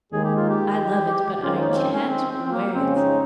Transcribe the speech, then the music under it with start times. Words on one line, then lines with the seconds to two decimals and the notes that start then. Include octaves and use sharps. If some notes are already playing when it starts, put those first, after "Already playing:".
I love it, but I can't wear it.
0.12 D#2 D#3 G#3 G#4
0.24 G4
0.36 F4
0.48 G4
1.34 G4
1.43 F2 D#3 G#3 C#4 F4
1.54 F4
1.60 D#4
1.69 A#3
1.76 C4
1.93 C#4
2.08 C4
2.31 C4
2.45 C4
2.52 A#3
2.74 F2 C#3 G#3 C4 C#4
2.96 D#4